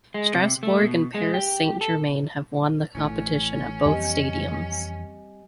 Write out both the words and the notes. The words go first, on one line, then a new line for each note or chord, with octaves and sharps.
Strasbourg and Paris Saint-Germain have won the competition at both stadiums.
G#3
C3
A3
B2
G#3
G4
A4
A1 E3 A3 C#4
F2 E3 G3 A#3 C4 G4 D#5 G#5